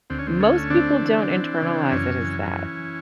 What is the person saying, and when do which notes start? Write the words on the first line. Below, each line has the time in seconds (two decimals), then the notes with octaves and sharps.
most people don't internalize it as that.
0.10 D2 C4
0.19 C#4
0.27 C4
0.40 A3 C#4
0.70 D3 C4 D4
1.01 E3
1.31 E3
1.62 C#3
1.91 F#2 C#4
2.21 E3
2.52 E3